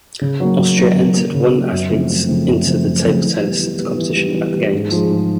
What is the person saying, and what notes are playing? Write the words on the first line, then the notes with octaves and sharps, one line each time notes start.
Austria entered one athletes into the table tennis competition at the games.
C#3
F#3 A#3
C#3
F#3 A#3
C#3
F#3 A#3
C#3
F#3 A#3
F#2
C#3 F3 A3 C4
F#2
C#3 F3 A3 C4
F#2
C#3 F3 A3 C4
F#2
C#3 F3 A3 C4
E3
G3 B3
E3
G3 B3
E3
G3 B3
E3
G3 B3
G#2
F3 G#3
G#2